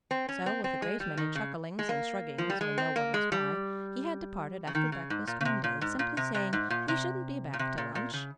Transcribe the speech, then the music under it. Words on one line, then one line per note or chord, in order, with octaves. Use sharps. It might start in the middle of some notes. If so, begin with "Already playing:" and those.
So, with a great many chucklings and shruggings when no one was by, he had departed after breakfast one day, simply saying he shouldn't be back to lunch.
C4
C#4
C4
C4
G#3
G3
D#3
C#3
G#3
A#3
F3
G3
G#3
C4
A#3
G#3
G3
C#3
D#3
C#3
G#2
A#2
C#3
C3
A#2
G#2
A#2
C3
C3
G#2
A#2
C3
A#2
C3
A#2
A#2
C#3